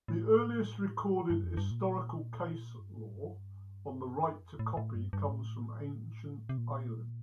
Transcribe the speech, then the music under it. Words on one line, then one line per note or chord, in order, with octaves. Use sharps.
The earliest recorded historical case-law on the right to copy comes from ancient Ireland.
A2
G2
F2
G2
A#2
G2
A2
G2
F2
A2
A2
G2
G2
A2
C3
A#2